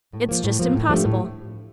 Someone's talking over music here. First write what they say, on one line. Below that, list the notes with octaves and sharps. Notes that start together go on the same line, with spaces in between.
It's just impossible!
A2
F3 A#3
A2
F3 A#3
A2
F3 A3 D4 G4
A2